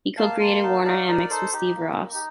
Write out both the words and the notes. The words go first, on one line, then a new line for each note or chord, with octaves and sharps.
He co-created Warner-Amex with Steve Ross.
A#3 F5 A5
A#3 A5 C6
D#4 F5 A5
D#4 D5 F5
D#4 A#4 D5
D#4 A4 C5
D#4 G4
A#3
D#4
G4